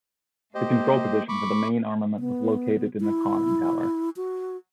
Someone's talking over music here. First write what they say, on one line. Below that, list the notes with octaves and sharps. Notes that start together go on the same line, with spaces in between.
The control position for the main armament was located in the conning tower.
A3 A#3 G4 C5 D#5
B5 C#6 D6
B3
E4
F#4